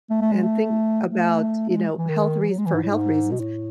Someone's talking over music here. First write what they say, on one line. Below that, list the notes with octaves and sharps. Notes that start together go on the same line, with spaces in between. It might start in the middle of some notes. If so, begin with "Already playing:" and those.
and think about, you know, health reas for health reasons.
A3
A3
G#3
A3
A3
A3
G#3
E3
D#3
E3
F#3
G#3
E3
G#2
A2
G#2
B2
A2